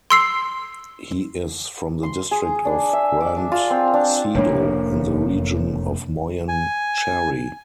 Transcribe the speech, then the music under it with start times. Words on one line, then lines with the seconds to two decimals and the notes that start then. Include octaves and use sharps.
He is from the district of Grande Sido in the region of Moyen Chari.
0.10 C6 E6 C7
2.03 C6
2.31 G#4
2.65 D4
2.93 E5
3.21 D6
3.37 D4
3.52 F4
3.70 C4
3.94 D4
4.35 F1 A2 A#3 D4 C#5
6.48 G#5